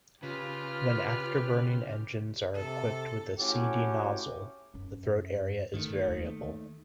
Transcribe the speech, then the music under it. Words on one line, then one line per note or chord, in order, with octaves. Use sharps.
When afterburning engines are equipped with a C-D nozzle the throat area is variable.
C#3 F4 G4 B4 F6
C3 A4
A3 C#4 E4 F#4 G4
F#2 C#4
D3 D#3 A3
D#2